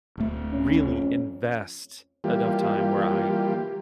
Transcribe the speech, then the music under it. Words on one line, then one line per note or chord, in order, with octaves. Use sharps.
really invest enough time where I
D1 A3
C#4
F2 C#4
E3 G3 A#3 F4 G4